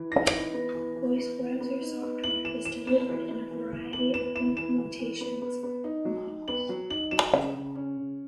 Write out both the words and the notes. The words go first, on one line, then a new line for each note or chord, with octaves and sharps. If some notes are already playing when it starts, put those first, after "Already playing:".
Voice browser software is delivered in a variety of implementations models.
Already playing: E3
D#4 A#6
E3
B3
E3
E3
B3
E3
B3
D#4
B3
E4 F#7
E3 E7
E3 E7
B3 E7
E3
B3
E3
E3
E3 F#7
B3 E7
E4 E7
E3 E7
E3
E3
B3
B3
B3
D#4
F#3
D#4
B3 F#7
F#3
D#4 F#7
F#3 E7
C#3
C#3
C#4
C#3